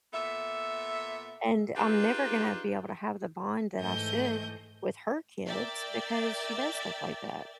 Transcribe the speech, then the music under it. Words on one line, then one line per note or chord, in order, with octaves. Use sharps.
And I'm never gonna be able to have the bond that I should with her kids because she does stuff like that.
A#2 B3 A4 E5
D4 D#4 F4 G4 G#4 B4
G#2 E3 A3 D#5 G6
A#4 D5 E5 G5 A6